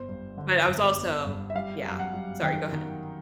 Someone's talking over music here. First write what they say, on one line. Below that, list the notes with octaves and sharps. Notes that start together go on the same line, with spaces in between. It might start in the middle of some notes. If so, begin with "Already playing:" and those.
But I was also Yeah, sorry, go ahead.
Already playing: G1 C5
G2
D3
G2
G1
G2
E5
G3 F5
F#2
F#5
G3
D#3 G5
D#3